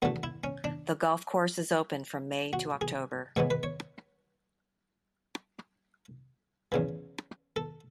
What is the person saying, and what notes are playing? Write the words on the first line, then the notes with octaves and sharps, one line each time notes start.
The golf course is open from May to October.
E2 D3 A3 F#4
E4
C#4
D4
F#4
G#4
G#2 E3 G#3 B3 C#5
B4
C#5
E2 C#3 E3
A4